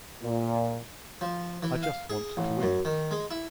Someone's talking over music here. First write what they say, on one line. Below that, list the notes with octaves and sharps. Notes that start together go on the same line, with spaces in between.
I just want to win...
A#2
F3
E3
F5
G#4
A1
F#2
D#3
G#3
E4